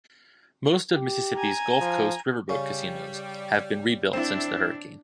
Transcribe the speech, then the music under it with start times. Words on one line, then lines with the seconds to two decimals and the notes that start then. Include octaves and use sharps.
Most of Mississippi's Gulf Coast riverboat casinos have been rebuilt since the hurricane.
0.93 G4
1.35 G#5 A#5
1.81 F3
2.49 C#3 G3
4.13 C4 D4 E4